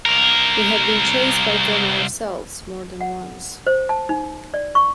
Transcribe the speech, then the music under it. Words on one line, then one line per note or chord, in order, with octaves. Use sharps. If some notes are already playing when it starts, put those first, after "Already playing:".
We had been chased by them ourselves, more than once.
C2 A#4
F#5
C5
A5
D#4
D5
C#6